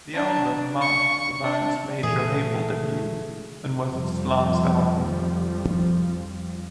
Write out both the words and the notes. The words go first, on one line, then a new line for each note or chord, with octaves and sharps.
The album marked the band's major label debut, and was its last album.
D4
C#6
D4
A#2 E3 A3 G#4
F2 F3 G3